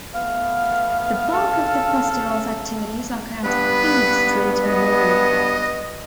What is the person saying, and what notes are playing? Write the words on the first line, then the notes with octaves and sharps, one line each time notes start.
The bulk of the festival's activities occur at Beebe Street Memorial Park.
A3 B3 F5
C#3 A4
G2 B3 B4
D#5